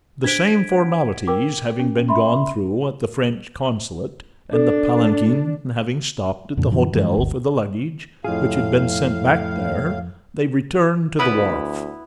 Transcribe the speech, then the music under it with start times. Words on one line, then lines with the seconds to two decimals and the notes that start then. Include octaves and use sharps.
The same formalities having been gone through at the French consulate, and the palanquin having stopped at the hotel for the luggage, which had been sent back there, they returned to the wharf.
0.24 D4 C5 G#6 B6 D7
0.71 C5 F#5
1.28 A#4 G5 D6
1.79 C#4
2.09 E5 B5 C6
4.53 D4 A4
6.57 F2 A#2 D3
6.71 F#2 D3 E3 F3
6.93 G2 E3 G#3
7.17 G1 D2
8.24 F2 A2 F4 G#4 F5
11.19 D2 B3 E4 B4